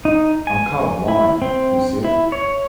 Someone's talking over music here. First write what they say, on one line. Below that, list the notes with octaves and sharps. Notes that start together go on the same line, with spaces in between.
I'm colour blind, you see.
D#4
G#5
E4
C4
E4
C#5